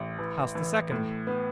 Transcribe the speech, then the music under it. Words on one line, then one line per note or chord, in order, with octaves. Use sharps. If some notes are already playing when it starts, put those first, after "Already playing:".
House the second.
Already playing: A1
E3
E3
A2
B3